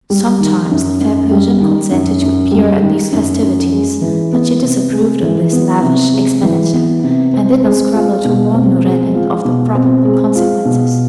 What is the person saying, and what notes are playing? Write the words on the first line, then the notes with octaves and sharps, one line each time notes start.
Sometimes the fair Persian consented to appear at these festivities, but she disapproved of this lavish expenditure, and did not scruple to warn Noureddin of the probable consequences.
G3
D#3
F#2
F#2
G3
D#3
F#2
F#2
G3
D#3
F#2
F#2
G#3
E3
B3
C3
G#3
E3
B3
C3
G#3
E3
B3
C3
C4
G#3
F4
B2
C4
G#3
F4
B2
C4
G#3
F4
B2